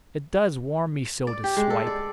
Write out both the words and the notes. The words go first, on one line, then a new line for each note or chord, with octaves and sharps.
"It does warm me so to swipe."
D5
G4
G#3
A4
D5